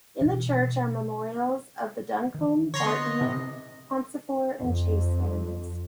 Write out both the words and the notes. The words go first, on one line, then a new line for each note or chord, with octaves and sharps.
In the church are memorials of the Duncombe, Barton, Pauncefort, and Chase families.
B2 E3
D#3 E3
D3 C#5 A#5 C6
B3 D#5 C6
C3
F2